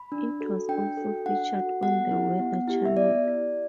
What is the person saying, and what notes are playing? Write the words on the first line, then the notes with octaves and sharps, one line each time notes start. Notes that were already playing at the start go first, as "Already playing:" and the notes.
It was also featured on the Weather Channel.
Already playing: B5
D4
F#4 A4
D4 G5
F#4 A4
D4 F#5
F#4 A4
B3 F#5
E4 G4
B3
E4 G4
E5
B3 D5
E4 G4